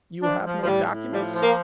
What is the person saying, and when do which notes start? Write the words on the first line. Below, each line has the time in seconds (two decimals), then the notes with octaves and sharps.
"You have no documents?"
0.22 F3 D4
0.46 F3
0.63 F3
0.67 A2 G3
0.90 A2
1.12 F3 G3
1.35 F3
1.43 A#3